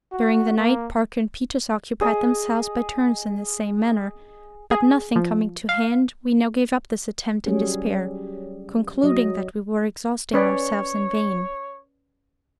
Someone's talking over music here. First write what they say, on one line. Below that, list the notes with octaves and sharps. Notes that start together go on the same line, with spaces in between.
During the night Parker and Peters occupied themselves by turns in the same manner; but nothing coming to hand, we now gave up this attempt in despair, concluding that we were exhausting ourselves in vain.
F#4
A#3
G#4 D#5
G#4
F3
F5
F#3 G3 C#4 G#4
F#3 D#5
C#4 B4 C#5 D5